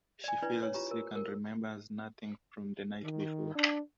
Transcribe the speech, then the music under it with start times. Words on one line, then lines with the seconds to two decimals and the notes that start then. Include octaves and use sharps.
She feels sick and remembers nothing from the night before.
0.24 D5 G#5
0.42 D4 E4 B4 D5
0.63 C#5
0.74 F4 G4 A#5
0.91 A#4
1.15 A#4
3.03 D#3
3.55 D4